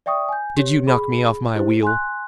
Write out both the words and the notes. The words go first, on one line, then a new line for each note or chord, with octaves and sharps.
"Did you knock me off my wheel?"
D5 E5 G5 C#6 D#6
G#5 G6
G4 C#5
G#4 B5
E4 G4 C5
G#5 C6 F#6